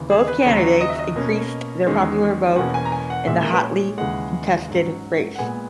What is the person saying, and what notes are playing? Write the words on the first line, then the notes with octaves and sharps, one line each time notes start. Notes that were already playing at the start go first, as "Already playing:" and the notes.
Both candidates increased their popular vote in the hotly contested race.
Already playing: D#2 C#3 E3
G#4
B4
D#2 C#3 F#3 C#5
D#5
E5
D#5
B2 A#3 C#4
E2 D#3 G#3 C#4
E2 B2 A#3 C#4 F#5
G#5
A#5
G#5
F#5
A#2 G#3 C#4 E5
A#4
B4
C#5
D#2 C#3 E3 G#3 F#5
G#2 F#3 C#4
F#5
A#2 G#3 B3 G#5